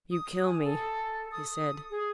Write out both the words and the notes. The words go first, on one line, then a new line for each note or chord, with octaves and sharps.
"You kill me!" he said.
D#6
G#5
A4
D#6
G#4